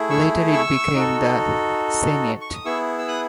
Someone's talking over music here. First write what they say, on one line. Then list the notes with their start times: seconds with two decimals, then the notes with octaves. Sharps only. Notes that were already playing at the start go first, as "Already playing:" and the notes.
Later it became the sainete.
Already playing: A3 E4 G#4
0.10 C#6 E6
0.53 C#6 E6
0.95 D#4 F#4 A4
2.41 C#6
2.54 D#6
2.65 B3 E4 G#4 C#6 E6
2.98 E6
3.08 D#6 F#6